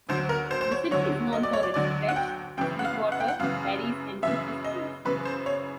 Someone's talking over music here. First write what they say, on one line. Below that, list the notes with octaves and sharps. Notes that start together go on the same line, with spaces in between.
The city is known for its fresh, sweet water, berries and citrus trees.
D2 D3 F#3 C5
A#4
C5
C5
C#5
D2 D3 F#3 C#5
D#5
D5
C#5
D5
D2 D3 F#3 D5
F#5
G5
F#2 C#3 E3 G5
F#5
F5
F#5
G5
F#5
F#2 C#3 E3 F5
F#2 C#3 E3 E5
D#5
F#2 C#3 E3 B4
C5
C#5